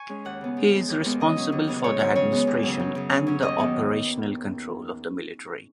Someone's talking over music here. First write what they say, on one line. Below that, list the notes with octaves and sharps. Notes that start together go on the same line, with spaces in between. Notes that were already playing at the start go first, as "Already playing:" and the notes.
He is responsible for the administration and the operational control of the military.
Already playing: G#5 C#6
G#3 C#4
D#2 F#5
C#3 B3
G#2
G#3 B3
D#2
D#3 G#3 B3
C#3 D#5
F#3 C#4
D#2
C#3 B3
G#2 C#5
D#3 F#3 C#5
C#3 C#5
G#3 B3
D#2
C#3 F#3
F#2
C#3 F#3
C#3
F#3 C#4
D#2 D#5
D#3 F#3 B3